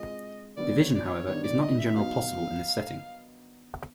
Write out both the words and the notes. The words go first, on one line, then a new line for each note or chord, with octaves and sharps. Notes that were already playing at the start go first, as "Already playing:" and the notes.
Division, however, is not in general possible in this setting.
Already playing: G#3 C4 F4 D#5
D#3 G3 B3 D4 D5
C#5
D5
C#5
D#3 G3 B3 D4 C#5
D5
D#5
E5
F#3 B3 D#4 F5